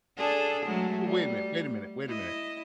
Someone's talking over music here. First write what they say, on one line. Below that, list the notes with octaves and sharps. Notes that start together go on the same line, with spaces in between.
Wa wait a minute wait a minute wait a minute,
D4 G#4 A4
F#3 G#3 A3
G3
E4 D#5